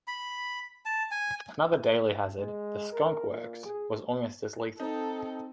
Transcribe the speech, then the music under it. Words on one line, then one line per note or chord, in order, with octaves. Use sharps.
Another daily hazard, the Skonk Works, was almost as lethal.
B5
A5
G#5
G#3
A#4
A#2
G#4
C4 D#4 A4